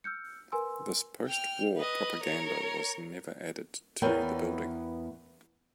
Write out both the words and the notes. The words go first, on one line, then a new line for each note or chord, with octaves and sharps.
This post-war propaganda was never added to the building.
E6 F6 G6 C#7
A#4 B4 G#5 C6 E6
G5 F6
B4 D#5
A#4 C#5
E2 B3 A#4 C#5 D5 G5